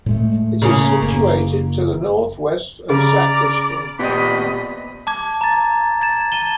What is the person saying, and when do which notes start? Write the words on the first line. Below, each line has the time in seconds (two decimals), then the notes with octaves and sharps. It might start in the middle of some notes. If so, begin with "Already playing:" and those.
It is situated to the north-west of Sacriston.
0.06 A2 G#3 A3
0.62 C#3 A#3 C#4
1.02 F#1 A#3
2.90 C#3 D5 A#5 D6
3.99 A#2 B3 G4 D5 D#5 B5
5.07 A5 D6 G#6
5.41 A#5 A6
6.02 G#6 A6 E7
6.32 A5 D#7 E7 G7